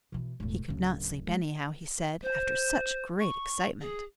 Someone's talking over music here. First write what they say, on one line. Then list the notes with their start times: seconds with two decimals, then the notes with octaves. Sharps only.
He could not sleep anyhow, he said, after such great excitement.
0.12 B2 E3
0.40 E1 A2
0.68 D1 C#3
1.27 G#3
2.23 C5
3.20 C#6
3.81 G#4